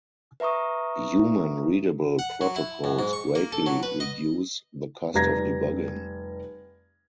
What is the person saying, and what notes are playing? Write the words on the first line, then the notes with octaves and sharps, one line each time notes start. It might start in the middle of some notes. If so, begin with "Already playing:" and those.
Human readable protocols greatly reduce the cost of debugging.
B4 E5 A#5 C#6 D#6
F#5
F#3
E4
F#2
G#2
C#6
A#3
A4
F#3
B4
D#5
F1 G3 A#5 G#6 A#6